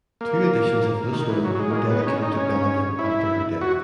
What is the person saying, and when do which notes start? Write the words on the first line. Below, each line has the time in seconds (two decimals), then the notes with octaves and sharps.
Two editions of "Loose Women" were dedicated to Bellingham after her death.
0.21 A#3
1.13 D#3
1.29 E3
1.44 F#3
1.55 F#3
1.60 G#3
1.71 A#3
1.75 G#3
1.90 B3
1.99 D#4
2.07 C#4
2.22 D#4
2.37 C#4
2.99 E4
3.61 F#4